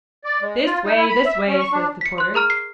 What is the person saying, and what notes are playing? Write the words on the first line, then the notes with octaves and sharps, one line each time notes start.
'This way, this way,' says the porter.
D5
G#3
F4
D#4
E4
B5
E5
C#4
C#6
D4
B6 C#7
C6 F#6
G#4 A#4 A#5 F6 D#7
C7